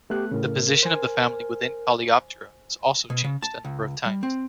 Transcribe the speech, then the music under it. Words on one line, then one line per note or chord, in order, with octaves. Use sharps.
The position of the family within Coleoptera has also changed a number of times.
A3 B3 G4 F#6
A2 C#3 A#4
C5 G#5
B2
C#3
A5
C#2
G3
C4